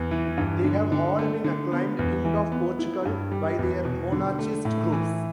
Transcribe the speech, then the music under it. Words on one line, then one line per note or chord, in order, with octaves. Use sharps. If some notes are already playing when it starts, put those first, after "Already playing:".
They have all been acclaimed king of Portugal by their monarchist groups.
Already playing: E2
E3
G2
D3
D3
A3
D3
B3
E2
E3
B3
E4
G2
G3
E2
B2
D3
A3
A2
E3